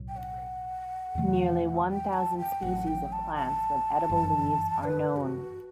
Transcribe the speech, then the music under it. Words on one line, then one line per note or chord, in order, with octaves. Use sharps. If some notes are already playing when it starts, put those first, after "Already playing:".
Nearly one thousand species of plants with edible leaves are known.
Already playing: B1 A2 F#3
G5
F#5
E2 C3 E3 A3
G5
A5
G5
A1 A2 F#3 F#5
G5
A5
A5
G1 F#2 E3
B4
G4
F#4